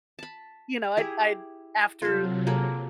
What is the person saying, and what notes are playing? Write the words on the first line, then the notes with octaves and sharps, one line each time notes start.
you know, I'd I'd after
A5 B5
E4 G4 G#4
C3 F#3 F4 A4
A#3 G#4 A4